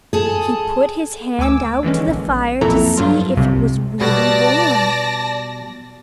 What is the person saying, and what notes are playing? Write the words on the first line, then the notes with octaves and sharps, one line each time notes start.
He put his hand out to the fire to see if it was really warm.
G#4 A4
D2 G#5 D6 E6
D3 E3 G#3 C#4
A#1
B1 F2 A#2 E4 A4 A#5
G2 F#3 F4
C2 C3
B2 G3 B3 D5 A5 A#6